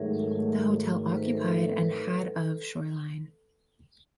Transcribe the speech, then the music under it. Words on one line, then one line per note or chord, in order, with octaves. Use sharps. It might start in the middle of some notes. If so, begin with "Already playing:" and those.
The hotel occupied and had of shoreline.
Already playing: G#2 D#3 F#3 A3 G#4 A#4
C5
B4
A#4
A4 B4